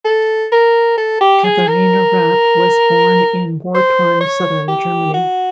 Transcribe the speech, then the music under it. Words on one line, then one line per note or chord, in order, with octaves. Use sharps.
Katharina Rapp was born in war-torn southern Germany.
A4
A#4
A4
G4
G#4
A#4
C5
C#5
G4
F#4